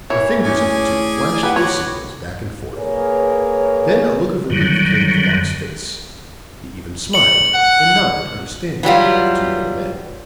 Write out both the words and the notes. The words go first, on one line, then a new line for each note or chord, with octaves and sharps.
The fingers of the two flashed their signals back and forth; then a look of relief came into Locke's face; he even smiled, and nodded understandingly at the two young men.
E3 A#4 C#5
A3 C#4 E4 G#4 D5 G#5
G4 B4 F#5
F#4 B4 C#5 F#5 D6
A#3 G#4 A#4 B4 C#5
F#2 D3 D#3 F#3 G3
C#7 F#7
F#5
E3 F#3 G3 F4